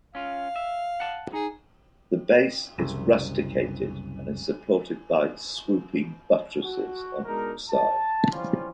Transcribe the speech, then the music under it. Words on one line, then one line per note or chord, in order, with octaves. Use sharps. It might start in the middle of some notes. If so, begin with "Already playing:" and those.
The base is rusticated and is supported by "swooping buttresses" on each side.
C#4 F4 F5
E5
F#5 A5
D#4 G#4
F#1 C2
F#4
B2 G#3 D4 D#4 A#4
A5
E3 F3 G3 C#4 F4